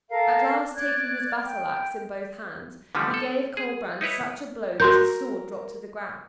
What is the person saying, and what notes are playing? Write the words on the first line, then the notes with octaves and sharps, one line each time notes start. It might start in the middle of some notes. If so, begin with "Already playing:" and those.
At last, taking his battle-axe in both hands, he gave Colbrand such a blow that his sword dropped to the ground.
A4 A#4 F5
D5 F#6 G#6
G5
D3 E3 F3 G3 A3 D#4
A4
G#4
D#4 E4 B4 C#5
F#4 A#4 C6 G6